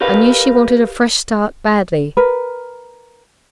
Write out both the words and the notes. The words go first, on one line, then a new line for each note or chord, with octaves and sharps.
I knew she wanted a fresh start badly.'
G4 A#4 B4 F5
A#4 B4